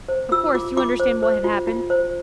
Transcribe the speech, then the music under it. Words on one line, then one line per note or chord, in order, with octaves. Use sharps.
Of course, you understand what had happened?
C5
F4 E6
F4 D6
F4 D6
C5
C5
F4
F4
C5